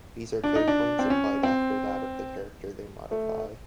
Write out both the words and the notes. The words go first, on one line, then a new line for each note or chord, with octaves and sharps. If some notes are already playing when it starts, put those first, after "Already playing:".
These are codepoints applied after that of the character they modify.
D4
D#4
D4
C4
C#4
C4
A3